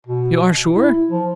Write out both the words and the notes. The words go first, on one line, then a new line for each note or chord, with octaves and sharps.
"You are sure?"
B2
E4
F3